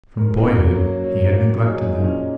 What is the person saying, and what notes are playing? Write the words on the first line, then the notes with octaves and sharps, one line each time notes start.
From boyhood he had neglected them.
A#4
G#4
A#3 C#4 F#4
F#3
F#3
A#3
F#3 D#4 G#4
A#2 D#4
C#4